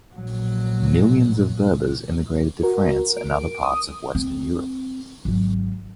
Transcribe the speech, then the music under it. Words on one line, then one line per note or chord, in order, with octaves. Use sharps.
Millions of Berbers immigrated to France and other parts of Western Europe.
A#1 F#3
F#4 A#4
D7
D#6
C4
G#1 F#3